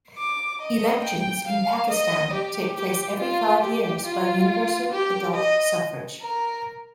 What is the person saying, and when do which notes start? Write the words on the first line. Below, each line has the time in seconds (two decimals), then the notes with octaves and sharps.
Elections in Pakistan take place every five years by universal adult suffrage.
0.18 D6
0.61 D#5
1.04 G5
1.47 F5
1.90 D#5
2.33 G4
2.77 G4
3.20 F4
3.63 G4
4.06 F4
4.92 G4
5.35 D#5
6.22 A#4